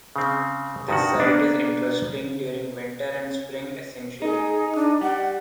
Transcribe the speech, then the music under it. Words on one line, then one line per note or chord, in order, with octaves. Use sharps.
This site is interesting during Winter and Spring essentially.
C#3 C4
G2 D#3 F#4
A#3 B3 D4
D#4 G#4
D4
G3 F#5